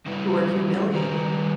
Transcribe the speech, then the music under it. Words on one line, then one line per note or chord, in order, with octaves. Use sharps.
Who are humiliating you.
C#3 G3 E4 B4
D#3 G3 B4 G#5 A#5